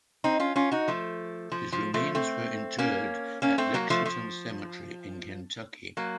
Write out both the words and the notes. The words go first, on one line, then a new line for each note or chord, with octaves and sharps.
His remains were interred at Lexington Cemetery in Kentucky.
C4 D#4
C#4 F4
C#4 F4
D#4 F#4
F3 A3
F3
F3
F3 A3
A3 C4
A#3 C#4
A#3 C#4
A3 C4
F#3 A#3
F3 A3
F3
F#3 A#3